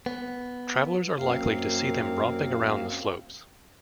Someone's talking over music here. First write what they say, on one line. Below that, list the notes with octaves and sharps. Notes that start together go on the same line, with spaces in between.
Travellers are likely to see them romping around the slopes.
B3
F#2 A#3 C4 F5